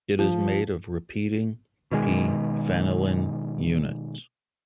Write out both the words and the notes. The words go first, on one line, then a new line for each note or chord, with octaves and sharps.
It is made of repeating "p"-phenylene units.
F3
B2 D#3 G#3